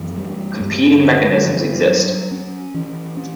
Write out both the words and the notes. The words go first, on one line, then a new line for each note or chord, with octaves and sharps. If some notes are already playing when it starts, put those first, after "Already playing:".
Competing mechanisms exist.
Already playing: F#2 E3
G3
G2
D3
G2
F#3
C#4
E3
C#4